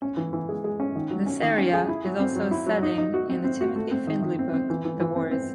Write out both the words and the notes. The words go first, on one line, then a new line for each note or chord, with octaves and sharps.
This area is also a setting in the Timothy Findley book The Wars.
C#4
E3
E3
G#3
G#3
C#4
D#3
F#3
C#4
D#3
C#4
G#4
E4
F#3
C4
F#3
E4
F#3
D#4
D#4
F#4
C4
C4
F#4
A3
C4
D#3
D#3
C4
C4
E3
E3
E3
C4
C4